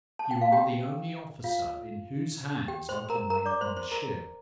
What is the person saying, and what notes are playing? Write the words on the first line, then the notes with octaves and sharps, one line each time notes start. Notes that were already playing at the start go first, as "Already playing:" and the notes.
You are the only officer in whose hands I can leave my ship.
A5
G5
F5
G4 G5
F4 F5
G4 G5
C5 C6
A#4 A#5
A#4 A#5
D5 D6
C5 C6
C5 C6
A#4 A#5